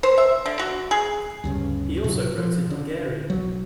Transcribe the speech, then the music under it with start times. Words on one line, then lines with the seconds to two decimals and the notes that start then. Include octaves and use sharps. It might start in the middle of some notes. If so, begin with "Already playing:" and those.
He also wrote in Hungarian.
0.03 C5
0.18 E5
0.46 D3
0.59 F#4
0.91 G#4
1.44 D2 G2 C#3
2.04 A2 C3 E3 F#3
2.38 F3
2.70 D3
3.30 B1 F#3